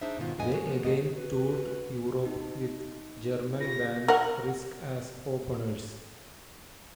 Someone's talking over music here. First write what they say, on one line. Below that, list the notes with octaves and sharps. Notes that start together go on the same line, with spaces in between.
They again toured Europe with German band Risk as openers.
D4 D#4 G#4 C5 E5
G#2 B2 D#3 F4
F2 G#3 B3 D4 D#5 G#5
F#4
F3 G#3 B3
A2 A3 B3 D#5
F#4 B4
D#4
F4 G4 A#6
A#4 F#5